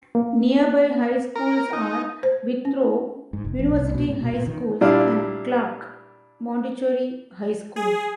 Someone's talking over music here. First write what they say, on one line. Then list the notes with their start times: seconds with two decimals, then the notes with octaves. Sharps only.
Nearby High Schools are Withrow University High School and Clark Montessori High School.
0.15 A#3
1.36 A#4
1.73 D#4
2.23 C5
2.65 C#4
3.33 G#2
3.44 F1
3.59 A1
3.74 C2
3.95 B2
4.08 G#2
4.21 B2
4.33 A#2
4.47 D#3
4.81 A#2 G3 D4 E4 F5
7.76 G#4